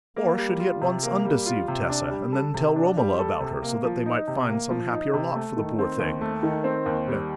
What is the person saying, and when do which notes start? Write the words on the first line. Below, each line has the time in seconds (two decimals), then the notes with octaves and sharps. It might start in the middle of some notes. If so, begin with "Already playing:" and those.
Or, should he at once undeceive Tessa, and then tell Romola about her, so that they might find some happier lot for the poor thing?
0.16 A#3
0.38 G3
0.59 F4
0.81 C3
1.03 A#3
1.25 G3
1.46 F4
1.68 C3
1.89 D4
2.11 G3
2.32 A4
2.54 C3
2.76 D4
2.97 G3
3.19 A4
3.40 C3
3.62 A#3
3.84 F3
4.06 D#4
4.28 C3
4.48 A#3
4.70 F3
4.92 D#4
5.13 C3
5.35 A3
5.57 D#3
5.79 C4
6.00 D#2
6.21 A3
6.43 D#3
6.64 C4
6.86 D#2
7.08 G3